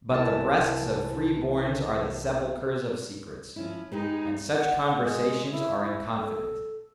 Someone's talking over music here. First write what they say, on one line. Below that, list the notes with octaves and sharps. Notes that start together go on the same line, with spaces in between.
But the breasts of free-borns are the sepulchres of secrets' and such conversations are in confidence.
C2 E3 A5
F3 C#4 E4
G#3 D#4 G4 B4
F#5
F#5
G#3
E4
E4
A4